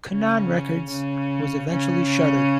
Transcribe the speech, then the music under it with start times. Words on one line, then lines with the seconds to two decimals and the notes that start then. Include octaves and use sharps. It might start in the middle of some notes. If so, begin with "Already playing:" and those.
Canaan Records was eventually shuttered.
0.11 C#3 C#4
0.91 C#3 C#4
1.72 C#3 C#4